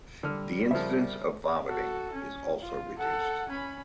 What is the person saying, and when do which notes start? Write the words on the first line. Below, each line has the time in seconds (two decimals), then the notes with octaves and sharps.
The incidence of vomiting is also reduced.
0.23 D3 G3 F6
0.71 C#3 F3 A#4 C5 E5
1.67 F#4 A4
2.13 C#4
2.61 F4
2.98 A4 F#5
3.49 C#4 B5